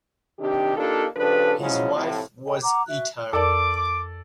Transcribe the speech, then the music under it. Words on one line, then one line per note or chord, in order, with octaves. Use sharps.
His wife was Etar.
C3 D#3 D4 G4
A#3 D4 D#4 F4 G4 A4
C#3 F3 D4 G4 A4 B4
C#3 F3 F#3 G#3 C#4 E4
A2 C3 F3
A4 D#5 G5 G#5
F#5 A#5 D6
F#4 E5 F#6
F2 A4 A#4 D5 D6